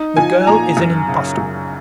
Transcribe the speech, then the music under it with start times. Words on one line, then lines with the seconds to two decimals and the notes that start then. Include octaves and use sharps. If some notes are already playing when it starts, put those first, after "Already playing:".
The girl is an impostor.
Already playing: D#4
0.17 F3 G#5
0.47 A#2 A#5
0.77 F#2
1.08 C#3
1.37 F#2